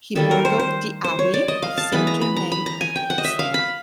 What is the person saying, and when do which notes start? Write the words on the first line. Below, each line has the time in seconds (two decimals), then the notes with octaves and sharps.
He burgled the abbey of St-Germain at Auxerre.
0.15 D#3 G3 A#3 A4
0.31 A#4
0.45 C5
0.59 C5
1.04 C5
1.19 C#5
1.34 D5
1.48 D#5
1.62 F5
1.78 A5
1.92 E3 G#3 B3 B5
2.07 A#5
2.21 B5
2.36 A#5
2.52 B5
2.66 A#5
2.81 G#5
2.96 G5
3.10 F#5
3.18 D#5
3.24 E5
3.39 F5
3.54 B5